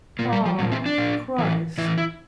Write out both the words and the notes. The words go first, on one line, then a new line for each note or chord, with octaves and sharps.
Ah, Christ!
A#2 A#3
G3
F3
A#2 G3
C4
D4
A#2
A2 E3
A2 E3 E4
E4